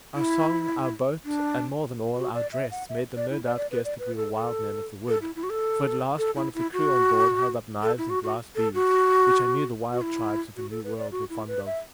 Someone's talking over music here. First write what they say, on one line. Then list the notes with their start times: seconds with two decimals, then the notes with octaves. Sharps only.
Our song, our boat, and, more than all, our dress, made them no doubt guess that we were wild men of the wood; for at last one of the crew on board held up knives and glass beads, which I knew the wild tribes of the New World were fond of.
0.15 E4
1.25 D4
2.16 F#4
2.34 D5
2.53 E5
2.71 F#5
2.89 E5
3.17 D5
3.30 E4
3.44 D5
3.57 D5
3.71 B4
3.85 D5
3.99 B4
4.17 A4
4.35 A4
5.08 A4
5.22 E4
5.36 E4
5.43 F#4
5.50 A4
6.18 A4
6.36 E4
6.54 E4
6.73 F#4
7.82 A4
7.98 E4
8.10 F#4
8.24 F#4
8.56 A4
8.74 F#4
9.92 F#4
10.02 E4
10.57 F#4
10.71 A4
10.84 B4
10.98 D5
11.12 F#4
11.30 E4
11.48 B4
11.66 E5